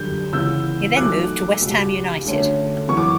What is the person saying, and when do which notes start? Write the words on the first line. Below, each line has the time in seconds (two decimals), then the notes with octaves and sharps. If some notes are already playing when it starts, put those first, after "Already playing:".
He then moved to West Ham United.
Already playing: F#2 D3 G3 G6
0.32 C#2 C#3 E3 B3 E6 G6
0.96 B1 B2 A3 D6 F#6
1.61 C#2 B2 G3
2.25 D2 D3 A3 C#4
2.88 F#2 E3 B3 C#6
2.97 D6